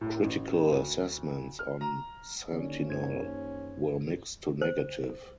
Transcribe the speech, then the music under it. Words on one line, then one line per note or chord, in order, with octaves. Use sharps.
Critical assessments on "Sentinelle" were mixed to negative.
A2
A1
D2
F6
A#5
D#2 D3 C#4 D5
F#2 C5 G#6
C5